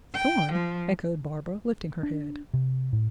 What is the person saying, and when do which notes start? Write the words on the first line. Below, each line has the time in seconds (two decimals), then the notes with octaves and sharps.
"Thorn!" echoed Barbara, lifting her head.
0.14 G5
0.52 F3
2.03 D4
2.54 C3
2.93 A2